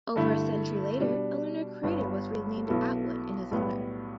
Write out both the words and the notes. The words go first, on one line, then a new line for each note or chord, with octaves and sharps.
Over a century later, a lunar crater was renamed Atwood in his honour.
G2 D3 A3 E4
B2 G3 D4
G1 G2 G3 B3
B1 B2 B3 E4 A4
B1 A2 G3 B3